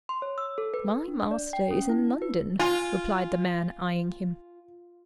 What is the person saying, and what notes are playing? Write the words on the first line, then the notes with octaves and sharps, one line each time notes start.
"My master is in London," replied the man, eyeing him.
C6
C#5
E6
A4
B4
D4
D5
G5
C#4
E4
B4
F4 G#5